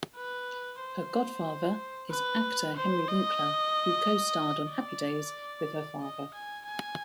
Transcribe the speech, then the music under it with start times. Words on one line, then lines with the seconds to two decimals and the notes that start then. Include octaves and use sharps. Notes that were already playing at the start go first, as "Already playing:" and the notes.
Her godfather is actor Henry Winkler, who co-starred on "Happy Days" with her father.
0.16 B4
0.80 C5
2.11 B4
2.76 C5
3.08 D#5
4.71 D5
6.01 D#5
6.34 G#5
6.66 G#5